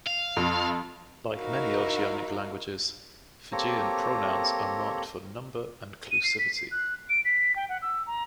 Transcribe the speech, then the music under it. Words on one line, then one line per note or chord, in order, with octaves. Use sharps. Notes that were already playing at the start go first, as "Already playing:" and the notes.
Like many Oceanic languages, Fijian pronouns are marked for number and clusivity.
F5
F2
D#4 E4 F#4 A#4 F5
A#3 C4 G4 A4 C#5 A#5
D#7
C7
B6
C7
F#6
D7
B6
G5
F#5
E6
A#5